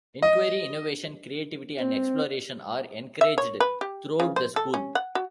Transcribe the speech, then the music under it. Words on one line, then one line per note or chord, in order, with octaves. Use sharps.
Inquiry, innovation, creativity and exploration are encouraged throughout the school.
D#5
C4
E5
C#5
B4
G4
C#3
C5
A4
C#4
F#5
F#4